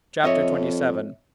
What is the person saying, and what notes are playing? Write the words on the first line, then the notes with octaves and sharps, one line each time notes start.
Chap. XXVII.
F2 C#5 D#5 E5